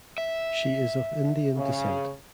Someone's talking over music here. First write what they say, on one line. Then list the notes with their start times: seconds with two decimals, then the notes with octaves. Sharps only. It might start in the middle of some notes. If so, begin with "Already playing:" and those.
She is of Indian descent.
0.18 E5
1.55 C#3